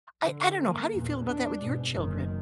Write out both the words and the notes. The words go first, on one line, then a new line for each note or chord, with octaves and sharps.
I I don't know. How do you feel about that with your children?
D3
A#3
E2 A#2
D4
G#2 B2
F#1 D#3